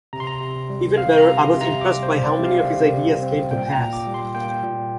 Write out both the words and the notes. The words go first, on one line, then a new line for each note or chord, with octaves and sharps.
Even better, I was impressed by how many of his ideas came to pass.
C3 A#5
C6
A#5
C3
G3
C4 F5
A#5
C3
C6
C3
A#5
G3 D6
C5
C4
D5
C3
F5
C3
G3
C4
A#2 G5
A#5
A#2
D6
G3
C6
A#3 G5
A#2